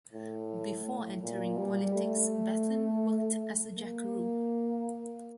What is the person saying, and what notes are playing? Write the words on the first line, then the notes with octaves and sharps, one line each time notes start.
Before entering politics, Bethune worked as a jackaroo.
A2
A2
A#2
G3
A3
A#3